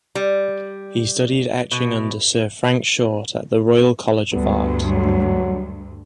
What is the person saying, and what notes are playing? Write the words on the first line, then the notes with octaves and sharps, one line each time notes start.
He studied etching under Sir Frank Short at the Royal College of Art.
G3
B2
D2 G2 B3
F#3